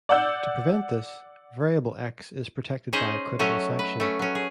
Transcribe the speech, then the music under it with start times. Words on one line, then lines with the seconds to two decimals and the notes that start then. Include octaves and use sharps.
To prevent this, variable 'x' is protected by a critical section.
0.09 D5 F#5 E6 G6
2.93 C#4 D#4 G#4 C5 D#5
3.39 F#3 A3 C#4 D#5
3.79 B4
4.00 A3 C#4
4.19 F#3 C#4
4.35 G#4